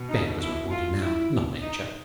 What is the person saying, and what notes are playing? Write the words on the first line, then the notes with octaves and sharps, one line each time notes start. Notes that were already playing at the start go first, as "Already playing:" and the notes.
Bed was what he wanted now, not nature.
Already playing: B2
D#4
E4
F4
E4
D#4